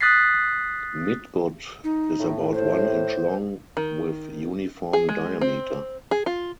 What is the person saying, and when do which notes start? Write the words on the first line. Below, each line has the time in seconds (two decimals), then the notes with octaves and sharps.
Midgut is about one inch long with uniform diameter.
0.01 D#6 F#6 A6 B6 C7
1.84 D#4
2.20 A2
2.54 C5
3.77 D#3
4.93 G#4
5.09 G#3
5.41 C4
6.11 G#4
6.26 F4